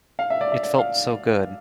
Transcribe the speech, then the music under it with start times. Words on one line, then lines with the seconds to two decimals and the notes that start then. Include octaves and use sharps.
It felt so good.
0.19 F5
0.30 E5
0.41 D5
0.52 E5
0.63 D5
0.79 F5